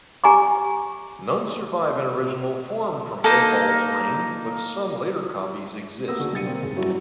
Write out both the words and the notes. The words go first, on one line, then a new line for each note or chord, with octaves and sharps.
None survive in original form from Eadbald's reign, but some later copies exist.
G4 G#5 A#5 D6
A#3 D#4 A4
A#3 B3 D#6 E6 A#6
D3 D#4 F#4 G#4
B1 D3 G3 A6 C#7 D#7
A#3 C4
D#2 G#2 C#3
G2 F#3 C#4 E4 F#4 G4